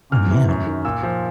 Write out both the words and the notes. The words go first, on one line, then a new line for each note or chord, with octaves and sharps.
Oh man.
E2 F6
C3 E3
F#2
D#3
A#2 E6
F3